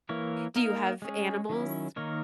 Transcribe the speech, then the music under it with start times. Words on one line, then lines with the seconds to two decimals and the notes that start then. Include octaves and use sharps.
Do you have animals?
0.09 E3 A#3 E4 A#4 C#5
0.56 A#3 D#4 A#4
1.02 G#3 C#4 G#4
1.49 D#3 F#3 C#4 E4
1.96 D#3 A#3 D#4 A#4 C#5